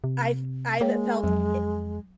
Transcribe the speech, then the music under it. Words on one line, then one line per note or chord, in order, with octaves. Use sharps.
I've I've felt, i
C3
G#3 A#3 G#4 C#5 G5
F2 F#3